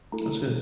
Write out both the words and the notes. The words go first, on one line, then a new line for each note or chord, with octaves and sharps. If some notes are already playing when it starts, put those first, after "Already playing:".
That's good.
A3 E4 A4 A#5